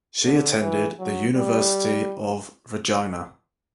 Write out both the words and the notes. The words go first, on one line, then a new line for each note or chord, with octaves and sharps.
She attended the University of Regina.
D3
E3
F#3
G3